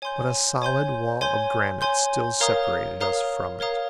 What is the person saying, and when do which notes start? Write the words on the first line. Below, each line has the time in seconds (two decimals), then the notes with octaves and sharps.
But a solid wall of granite still separated us from it!
0.02 C#5 G#5 C6 G6
0.62 C#5 G#5 C6 G6
1.21 C#5 G#5 C6 G6
1.81 C#5 G#5 C6 G6
2.40 A#4 C#5 F5 A#5 D#6
3.01 A#4 C#5 F5 A#5 D#6
3.60 A#4 C#5 F5 A#5 D#6